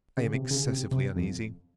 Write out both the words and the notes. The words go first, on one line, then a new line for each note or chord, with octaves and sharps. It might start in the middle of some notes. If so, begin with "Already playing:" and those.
I am excessively uneasy.
C#3
C3
C#3
C3
C3
F2